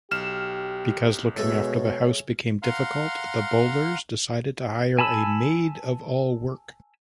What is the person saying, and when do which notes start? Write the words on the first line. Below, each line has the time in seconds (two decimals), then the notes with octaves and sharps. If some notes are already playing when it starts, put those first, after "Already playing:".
Because looking after the house became difficult, the Bowlers decided to hire a maid-of-all-work.
0.11 B1 G4 F6 E7
1.37 B2 G#3 A3 A4 C#5
2.63 F5 F#5 A#5 C6 F6
4.99 G#5 A5 B5 E6